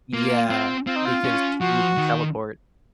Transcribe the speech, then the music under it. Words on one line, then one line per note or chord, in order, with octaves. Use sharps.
Yeah. Because you could teleport
A#3 F4
C4
C4 F4
D#4
F4
C#4
F3 F#4
D#3